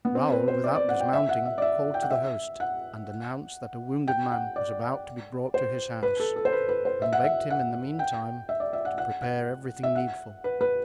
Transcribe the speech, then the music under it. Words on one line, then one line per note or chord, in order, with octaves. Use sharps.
Raoul, without dismounting, called to the host and announced that a wounded man was about to be brought to his house and begged him in the meantime to prepare everything needful.
B3
C4
B4
C5
D5
D5
F#5
G5
E5
F#5
E5
D5
E5
G5
F#5
E5
F#5
G5
F#5
D5
C5
B4
A4
A4
C5
B4
B4
C5
E5
F#5
E5
F#5
G5
E5
D5
E5
F#5
F#5
F#5
E5
F#5
B4
B4